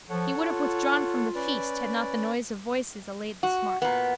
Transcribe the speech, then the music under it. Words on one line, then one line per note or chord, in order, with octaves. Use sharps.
He would have withdrawn from the feast had not the noise of voices allayed the smart.
F3 A4 C#5 F#5
F4
C#4 B4 D5
F#4
A#2 B3